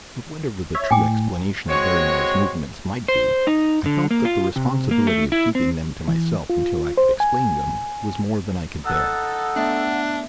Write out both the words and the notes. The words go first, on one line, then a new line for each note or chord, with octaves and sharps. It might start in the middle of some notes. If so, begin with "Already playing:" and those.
But whatever the true explanation of Barrymore's movements might be, I felt that the responsibility of keeping them to myself until I could explain them was more than I could bear.
C#5 E5
A2 G5 G#5 D6
G#3 C4 F#4 C#5
C5
D#4
D3
A#3
F4
C3
A#3
A3
E4
C4
E3
F4
C5
G#5
D#4 A4 F#5 E6 F#6 A6
A3 B3 D4 E5